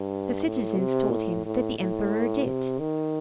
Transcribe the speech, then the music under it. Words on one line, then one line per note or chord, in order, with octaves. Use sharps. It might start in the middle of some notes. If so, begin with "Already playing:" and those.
The citizens told him that the emperor did.
Already playing: G2
A2
C3
A2
A2
A2
C3
D#3